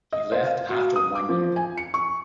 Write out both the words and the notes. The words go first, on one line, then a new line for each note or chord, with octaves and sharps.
He left after one year.
D#5
C5
F5
F#4
D#6
D6
F3
G#5
C#7
C#6